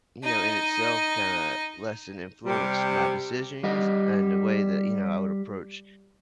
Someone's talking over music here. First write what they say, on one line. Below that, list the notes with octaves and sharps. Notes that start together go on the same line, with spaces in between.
you know, in itself kinda less than influenced my decisions, and the way that, you know, I would approach,
D#4 D#5
C3 G3
G3 D#5 F#5